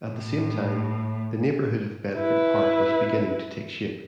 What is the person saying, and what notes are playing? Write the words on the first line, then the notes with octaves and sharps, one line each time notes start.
At the same time, the neighborhood of Bedford Park was beginning to take shape.
A2
E4 B4